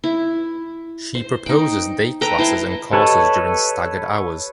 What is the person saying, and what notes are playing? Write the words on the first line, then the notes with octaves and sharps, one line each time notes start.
She proposes day classes and courses during staggered hours.
E4
C5
D#4 G5
A4 B4 G5 A#5
E4 C5 G5 A5
G4 A4 B4 C#5 D#5 A5